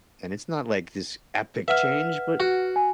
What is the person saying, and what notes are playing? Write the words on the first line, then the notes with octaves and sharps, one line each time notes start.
and it's not like this epic change, but
B4 E5 F#5 F6
F#4
G#5